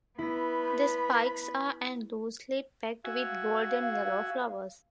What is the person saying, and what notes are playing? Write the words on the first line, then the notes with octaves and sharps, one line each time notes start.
The spikes are and loosely packed with golden yellow flowers.
B3 E4 B5 A#6
F#4 E5 F5 G#5